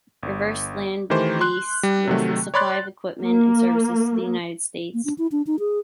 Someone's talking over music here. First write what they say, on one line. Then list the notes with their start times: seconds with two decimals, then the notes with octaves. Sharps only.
"Reverse Lend-lease" was the supply of equipment and services to the United States.
0.23 G1
1.10 D#3 E3 A3 G4 C5
1.41 C6 F#6
1.83 G3
2.07 C3 D#3 F#3 A3
2.54 C#5 D5 B5 C6 F#6 A6
3.21 A#3
4.94 A#3
5.05 D4
5.18 E4
5.32 D4
5.47 D#4
5.59 G#4